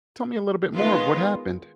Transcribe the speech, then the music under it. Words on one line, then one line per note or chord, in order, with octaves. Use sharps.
tell me a little bit more of what happened.
D#3 G#3 B3 F4